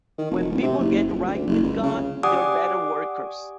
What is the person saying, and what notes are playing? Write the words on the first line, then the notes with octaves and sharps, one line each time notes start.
When people get right with God, they are better workers.
D#3
F1
D1
C3
F#1
D#1
D2
F#1
C#2
C#3
G4 D5 F#5 G#5 D6 D#6